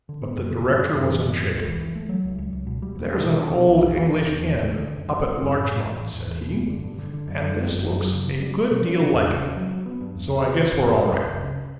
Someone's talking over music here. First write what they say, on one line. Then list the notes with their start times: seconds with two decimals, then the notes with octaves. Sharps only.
But the director was unshaken. "There's an old English inn up at Larchmont," said he, "and this looks a good deal like it, so I guess we're all right."
0.09 D3
0.22 B3
0.37 F#2
0.51 C#3
0.66 F#2
0.81 F#2
0.95 F#2
1.09 E3
1.24 F#2
1.38 F#2
1.52 C#2
1.67 E3
1.81 E3
1.95 A3
2.09 F#3
2.24 C#2
2.39 C#2
2.53 C#2
2.67 B2
2.82 G3
2.95 E1
3.11 E1
3.25 B2
3.39 D4
3.54 B2
3.67 B1
3.82 E2
3.96 E3
4.11 E3
4.26 E2
4.40 E1
4.54 D2
4.69 D3
4.83 D3
4.97 F#2
5.11 G3
5.26 F#2
5.41 F#2
5.54 A2
5.69 A1
5.83 A1
5.98 A1
6.13 E2
6.26 E2
6.42 B2
6.55 F#1
6.69 D3
6.84 G2
6.99 D3
7.14 D3
7.27 F#2
7.42 F#2
7.56 F#2
7.70 G1
7.84 F#2
7.99 F#3
8.13 C#3
8.28 C#3
8.42 G3
8.56 G3
8.71 B2
8.85 C#4
9.00 C#3
9.14 E2
9.29 C#3
9.43 C#4
9.57 F#3
9.71 F#3
9.86 B3
10.01 G2
10.15 E2
10.29 C#3
10.44 C#3
10.58 E3
10.72 F#2
10.86 G3
11.01 F#2
11.16 G1
11.29 C#2
11.44 C#3